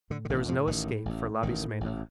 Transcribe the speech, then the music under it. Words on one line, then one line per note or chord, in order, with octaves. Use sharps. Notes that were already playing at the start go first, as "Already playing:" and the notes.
There was no escape for Labismena.
A2 D3
D3
A1 D#3
F2 A2 F3
A1 D#3
A2
A1
A2
A1 D#3
A2
A1